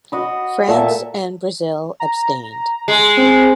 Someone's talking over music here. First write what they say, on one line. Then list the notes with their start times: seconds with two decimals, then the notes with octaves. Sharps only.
France and Brazil abstained.
0.12 F#4 D#5 B5
0.68 A#2 A3 E5 A5
2.00 A#5
2.88 G#3 C7
3.17 C4